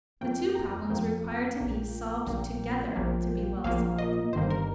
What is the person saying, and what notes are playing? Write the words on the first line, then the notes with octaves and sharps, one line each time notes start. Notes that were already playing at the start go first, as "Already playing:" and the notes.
The two problems require to be solved together, to be well solved.
F2 F3 A#3 G5
A#5
F2 F3 A#3 G5
A#1 A#2 A#3
A#1 A#2 A#3
A#1 A#2 F3 A#3
A#1 A#2 F3 A#3 F5
D#5
G1 G2 D#3 A#3 C5
A#4